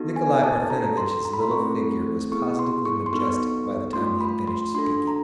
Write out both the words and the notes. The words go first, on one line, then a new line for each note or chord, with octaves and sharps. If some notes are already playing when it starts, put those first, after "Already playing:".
Nikolay Parfenovitch's little figure was positively majestic by the time he had finished speaking.
Already playing: B3 D#4 F#4 A4
G#5
A5
C#4 F#4 A4 A#5
C6
A#5
B5
C6
A3 C4 E4 A4 C#6
B3 E4 G#4 C#6
C6
C#6
C6
B3 D#4 F#4 A4 C#6
A3 C#4 F4 C6
B5
C6
D4 F#4 A4 C6
A#5